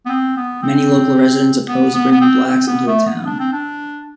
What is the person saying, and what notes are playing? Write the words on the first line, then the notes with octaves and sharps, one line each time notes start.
Many local residents opposed bringing blacks into the town.
B3
C4
B3
C4
B3
B3
B3
C4
C4
B3
A3
B3
D4
C4
D4